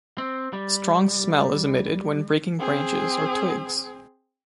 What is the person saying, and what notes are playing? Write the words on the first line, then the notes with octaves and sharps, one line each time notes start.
A strong smell is emitted when breaking branches or twigs.
C4
G3
C4 G#4